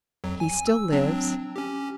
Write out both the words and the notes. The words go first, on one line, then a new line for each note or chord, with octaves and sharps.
"He still lives."
F2 F#3
G#5
E6
F#3 C4 D4
C#4 G4